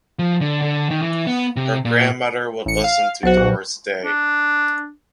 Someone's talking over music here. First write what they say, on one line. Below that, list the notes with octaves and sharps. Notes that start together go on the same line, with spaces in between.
Her grandmother would listen to Doris Day.
F3
D3
D3
D#3
E3
B3
C3
A#2
A1 C#7
F5
B1 F#3 F#4 C5
A#2
D4